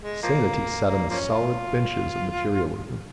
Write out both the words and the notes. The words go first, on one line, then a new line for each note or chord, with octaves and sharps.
Sanity sat on the solid benches of materialism.
G#3
F3 A#3
A#3
F3 A#3 C#4
F4